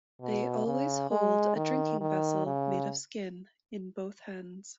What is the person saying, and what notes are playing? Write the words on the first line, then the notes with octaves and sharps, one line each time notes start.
They always hold a drinking vessel made of skin in both hands.
B2
C#3
G#3
D#3
D#3
C#3